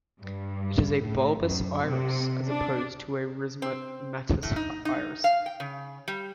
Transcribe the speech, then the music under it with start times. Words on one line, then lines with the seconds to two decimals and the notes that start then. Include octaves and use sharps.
It is a bulbous iris, as opposed to a rhizomatous iris.
0.21 G2
1.01 A2
1.40 F#2
1.84 C3
2.46 D4
3.62 C4
4.43 A2
4.56 D#4
4.85 D#4
5.24 F5
5.46 G5
5.60 C#3
6.08 G3